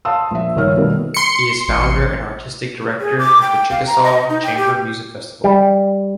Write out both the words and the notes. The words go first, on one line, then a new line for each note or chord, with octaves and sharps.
He is founder and artistic director of the Chickasaw Chamber Music Festival.
F5 A5 C6 D#6 E6
A#1 E5
G1 D#3 C#5 F6
B2 D#3 G3 A3 A#3
C6 C#7
A1
G#4
D6
G5
F5
A#5
D#5
D#4
G5
G4
G3